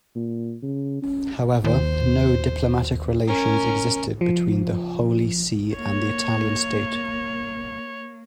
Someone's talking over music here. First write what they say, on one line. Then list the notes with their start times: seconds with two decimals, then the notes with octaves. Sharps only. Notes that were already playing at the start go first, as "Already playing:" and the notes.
However, no diplomatic relations existed between the Holy See and the Italian state.
0.15 A#2
0.62 C#3
1.02 C#4
1.64 D#2 C5
3.27 C#4 A#4
4.21 F3
5.76 A#3 C#5